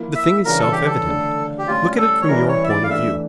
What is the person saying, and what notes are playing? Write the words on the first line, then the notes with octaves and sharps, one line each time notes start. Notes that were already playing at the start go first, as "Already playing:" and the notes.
The thing is self-evident. Look at it from your point of view.
Already playing: F3 A#3 E4
E5
C#3 E3 G3 D4 A#4
A4
G4
A4
D3 F3 A3 D4
G4
A2 G3 C#4 F4
A4
C#5
E3 G3 C#4 E4 A#4
C#5
E5
D5
F5
E3 A3 D4 E5